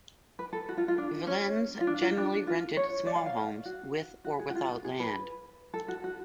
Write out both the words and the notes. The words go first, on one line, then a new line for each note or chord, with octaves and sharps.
Villeins generally rented small homes, with or without land.
B4
A4
F#4
F4
F4
D4
C#4
F4
D4
F4
D4
F4
C#5
D5
F5
F5
F#4
F#4
G#4
F#4
F4
G#4
B4
A4
F#4
F#4